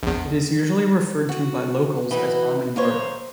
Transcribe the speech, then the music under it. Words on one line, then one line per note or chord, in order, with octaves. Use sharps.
It is usually referred to by locals as Ame-mura.
A#1 E2
F#4
E3 D#4 F#4 B4
A#3 C5 C#5